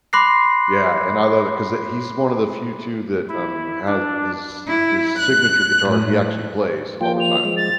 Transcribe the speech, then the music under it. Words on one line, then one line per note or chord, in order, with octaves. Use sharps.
Yeah, and I love it 'cause it he's one of the few too that, um, ha his his signature guitar, he actually plays all the time.
B5 C6 D6 F#6 A#6 C7
E4
D4
E4
F#6
A2
F3 A#3 F4 G5
F7
F3 G#3
A6